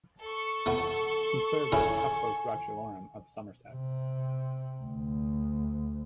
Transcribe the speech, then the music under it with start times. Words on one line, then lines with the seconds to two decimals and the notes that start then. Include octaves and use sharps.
He served as Custos Rotulorum of Somerset.
0.21 A4 C#6
0.66 A3 B3
1.72 A2 C#3 E4 G#5
3.71 C3
4.82 D2